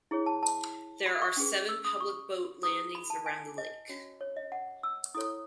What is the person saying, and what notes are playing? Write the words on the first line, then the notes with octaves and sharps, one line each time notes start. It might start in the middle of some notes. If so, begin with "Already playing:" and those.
There are seven public boat landings around the lake.
E4 G#4 C#5
A5
A5
B5
C#6
C#4 G#4 B4
E6
D#6
C#6
E4 G#4 B4 D#6
B5
A5
G#5
D#5
C#4 F#4 C#5
C#5
D#5
F#5
E6
E4 A4 C#5 D#6